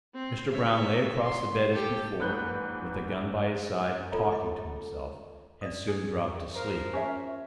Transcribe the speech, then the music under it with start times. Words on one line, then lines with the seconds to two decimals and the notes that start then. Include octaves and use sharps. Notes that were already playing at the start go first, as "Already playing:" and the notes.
Mr. Brown lay across the bed as before, with the gun by his side, talking to himself, and soon dropped to sleep.
0.14 C4
0.52 C#5 E5
1.23 C6
1.72 G4 A4
2.20 A#1 G#2 B4 F#6 G6
4.12 F4 A4 C#5 A#5
4.32 D#5 D6
4.46 A4
5.61 D5 D#5 D#6
5.88 G#4
6.54 F3 A#4
6.93 C#4 C#5 E5